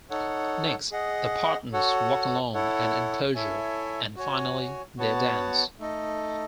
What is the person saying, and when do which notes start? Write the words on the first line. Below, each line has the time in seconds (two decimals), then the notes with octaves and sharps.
Next, the partners walk along an enclosure, and finally they dance.
0.10 D#4 A4 C#5 F#5
0.91 G#4 D#5 F#5
1.73 F#4 A4 C#5 F#5
2.54 E4 A4 C#5 F#5
3.35 E4 A4 C#5 E5 G#5
4.16 F#4 C#5 G#5
4.98 B3 F#4 C#5 F#5 A5
5.79 A3 D#4 A4 D#5